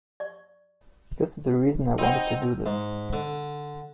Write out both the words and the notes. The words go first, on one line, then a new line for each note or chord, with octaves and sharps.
This is the reason I wanted to do this.
D5 C#6
C4 D#4 F#5 G5 B5 C6
G#2
D3